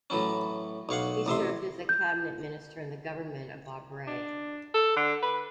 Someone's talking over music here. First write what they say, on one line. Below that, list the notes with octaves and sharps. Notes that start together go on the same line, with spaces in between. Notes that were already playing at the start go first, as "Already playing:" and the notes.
He served as a cabinet minister in the government of Bob Rae.
A2 E3 F#3 C#4
B1 C#5 F5 F#5
A1 C3 E5 C6
G6
D4
A4
D3
B4